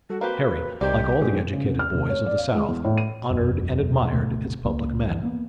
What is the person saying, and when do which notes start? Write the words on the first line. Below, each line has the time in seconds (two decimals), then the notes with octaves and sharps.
Harry, like all the educated boys of the South, honored and admired its public men.
0.10 G3 F#4 A4
0.21 A#3 C4 F#4 G4 B4
0.81 C2 D#3 G4 C5 D5
1.22 G#2 B2 B3 G#5
1.53 C#3
1.65 C2
1.79 F6
1.94 F1
2.10 C#5
2.26 D5
2.38 F5
2.55 G#3
2.68 E2
2.85 A2
2.98 D#7
3.30 E1 B1 F#2
3.91 E2 B2
4.13 G#1 D2 B2 A3
4.65 C#2 A#3
5.09 G2 E3
5.23 A#3 B3